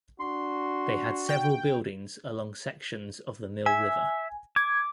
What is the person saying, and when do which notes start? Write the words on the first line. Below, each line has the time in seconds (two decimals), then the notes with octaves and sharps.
They had several buildings along sections of the Mill River.
0.20 D4 F#4 C6
1.29 G5
3.66 E5 G#5
4.56 D6 G#6